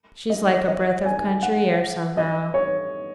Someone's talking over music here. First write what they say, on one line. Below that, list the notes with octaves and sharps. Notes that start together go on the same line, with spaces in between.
She's like a breath of country air, somehow.
D#5
D#5
G#5
F#5
D#5
C#5